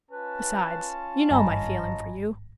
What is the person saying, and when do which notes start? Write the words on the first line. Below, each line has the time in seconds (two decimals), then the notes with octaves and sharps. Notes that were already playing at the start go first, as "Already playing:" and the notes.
Besides, you know my feeling for you.
0.11 C#4 F4 B4 A5
1.31 G#1 G2 D#5 G#5 A#5 B5